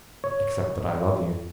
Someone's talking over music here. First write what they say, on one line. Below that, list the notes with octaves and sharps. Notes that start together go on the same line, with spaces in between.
"Except that I love you."
C#5